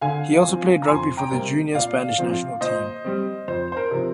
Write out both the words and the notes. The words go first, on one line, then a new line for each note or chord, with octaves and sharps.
He also played rugby for the junior Spanish National Team.
D3 F5 G#5
F3 C4
A#5
F2 G#5 C6
G5 A#5
C3 G3 A#3
A#2 D5 F5
F3 C4
A#2 C5 D#5
G3 C4
F2 C5
C5
A#4
C3 F3 C4